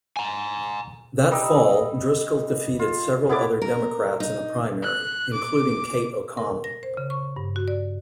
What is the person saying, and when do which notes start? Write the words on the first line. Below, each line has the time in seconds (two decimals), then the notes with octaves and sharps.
That fall, Driscoll defeated several other Democrats in a primary, including Kate O'Connell.
0.17 G#5 A#5
1.31 G3 D#4 D#5 E6
2.79 F4
3.29 B3 E4 A5 D6
3.62 A#4
4.20 D#4
4.82 F#6
5.33 D6
6.37 A#4
6.64 A#6
6.83 C5
6.97 C#3
7.10 C#6
7.36 G2
7.56 F#4
7.68 D5